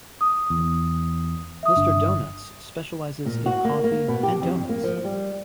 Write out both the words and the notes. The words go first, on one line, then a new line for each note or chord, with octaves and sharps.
Mister Donuts specializes in coffee and doughnuts.
D#6
E2
E5 D#6
G1 D4
A#2
F#4
A#3
A#3
B2
G4
F2
A#3
F3
G3